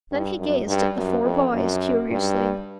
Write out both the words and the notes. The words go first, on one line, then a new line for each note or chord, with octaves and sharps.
Then he gazed at the four boys curiously.
G2
F#2
G2
F#2
F2
F#2
G2